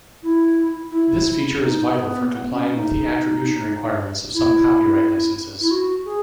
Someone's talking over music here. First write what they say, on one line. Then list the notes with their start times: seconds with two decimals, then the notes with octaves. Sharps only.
This feature is vital for complying with the attribution requirements of some copyright licenses.
0.23 E4
0.91 E4
1.60 D#4
1.95 B3
2.29 B3
2.51 C#4
2.74 D#4
4.34 E4
5.61 E4
5.71 F#4
6.05 G#4